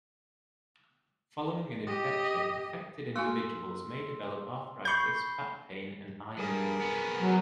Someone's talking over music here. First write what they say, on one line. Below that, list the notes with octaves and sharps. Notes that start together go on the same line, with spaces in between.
Following an infection, affected individuals may develop arthritis, back pain, and eye inflammation.
G4 D#5
A#3 F#4 G#5 C6 E6 F6
B5 C#6 G6 C7 G7
G2 G#4 A#4
B3 C#4
F#3